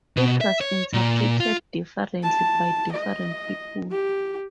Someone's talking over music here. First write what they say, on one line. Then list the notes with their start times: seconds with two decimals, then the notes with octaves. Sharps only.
It was interpreted differently by different people.
0.17 B2
0.41 E5
0.61 C#5
0.93 A#2
1.40 F4
2.23 A5
2.92 D#5
3.91 G4